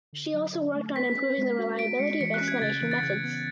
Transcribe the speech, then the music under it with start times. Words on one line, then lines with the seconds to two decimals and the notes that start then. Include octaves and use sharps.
She also worked on improving the reliability of explanation methods.
0.13 D3
0.34 F#3
0.54 D3
0.75 A3
0.96 B4 B6
1.17 C#4
1.38 G#3
1.58 F#4
1.79 F#4 D7
1.99 G#3 C#7
2.20 E3 C#7
2.34 F#6
2.41 C#4
2.48 G#6
2.62 C#3 A6
2.82 E3
2.91 A6
3.03 C#3 G#6
3.24 B3